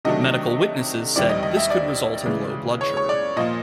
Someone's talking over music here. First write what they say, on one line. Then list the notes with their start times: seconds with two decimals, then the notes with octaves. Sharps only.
Medical witnesses said this could result in low blood sugar.
0.05 C3 D#3 F#3 A3 D4 D#5
1.15 D#2 D#3 G3 C4 E4 D5
1.29 D#5
1.43 D#5
1.57 E5
1.70 D5
2.26 C#3 E3 G#3
2.81 C#5
2.97 C#5
3.09 D5
3.36 A#2 F3 A#3 D#5